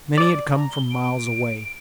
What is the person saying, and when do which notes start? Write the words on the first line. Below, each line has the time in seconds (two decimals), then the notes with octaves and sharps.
Many had come from miles away.
0.18 D5
0.50 A#5
0.71 G7
0.91 D7